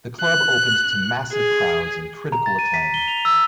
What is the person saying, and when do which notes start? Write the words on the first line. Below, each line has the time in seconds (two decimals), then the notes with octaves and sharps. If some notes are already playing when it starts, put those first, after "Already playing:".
The club opened to massive crowds and critical acclaim.
0.21 F#6
1.33 G#4
2.32 A#5
2.46 A6
2.59 D#7
2.74 B6
2.94 G7
3.08 F7
3.25 E6